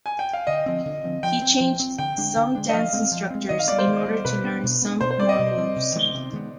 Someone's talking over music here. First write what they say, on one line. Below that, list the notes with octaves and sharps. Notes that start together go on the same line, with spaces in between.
He changed some dance instructors in order to learn some more moves.
G#5
G5
F5
D3 D#5
F3 C4
D3
F3 C4
F3 G5
C4
F3
C4
D3 G5
G#3 D4
D3
G#3 D4
D#5
F3 F5
G#3 C4
F3
G#3 C4
D#3 D#5
F5
G3 B3 D5
C5
D#3
G3 B3
B2 B4
B3 D4
B2
B3 D4
B2 C5
C5
G3 C4 D5
D#5
B2
G3 C4
C3
D#3 G#3 B3
C3
D#3 G#3 B3